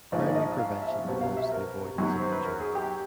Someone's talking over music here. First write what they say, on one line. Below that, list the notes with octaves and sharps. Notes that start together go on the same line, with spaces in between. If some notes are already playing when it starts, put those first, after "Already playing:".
Primary prevention involves the avoidance of injury.
A#1 G#2 F3 D5
D#5
D5
D#5
F5
E5
C2 B2 F#3
F5
E5
A#4
F#2 D#3 F#3
C5
B4
A#4
G#4
G4